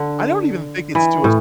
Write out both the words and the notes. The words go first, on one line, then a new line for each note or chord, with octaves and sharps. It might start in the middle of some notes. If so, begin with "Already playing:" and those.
I don't even think it's to us
Already playing: D3
E3
A2